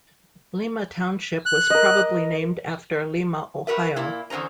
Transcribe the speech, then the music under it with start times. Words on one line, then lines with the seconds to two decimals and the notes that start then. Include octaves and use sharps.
Lima Township was probably named after Lima, Ohio.
1.46 F#6
1.70 A#4 D#5
3.67 F#4 A#4 B4 E5
3.96 A#2 A#3 E4
4.30 E2 D3 C#4 C5 A#5